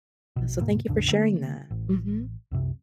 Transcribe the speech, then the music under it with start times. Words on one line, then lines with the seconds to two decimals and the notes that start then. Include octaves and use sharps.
Uh, so thank you for sharing that, mhm.
0.36 A#1 B2
0.60 D2 G#2 B2 A#3
0.88 A1 E2 C#3 D4
1.10 D3 A3 A#3
1.71 A1
2.51 C2 F#2 C3